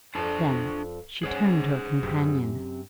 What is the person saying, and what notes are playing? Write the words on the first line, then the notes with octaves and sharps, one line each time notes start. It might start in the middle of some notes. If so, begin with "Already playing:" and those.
Then she turned to her companion.
F2 D4 C5 D5 A5
C#4 G#4 C5 F#5
F#2 C3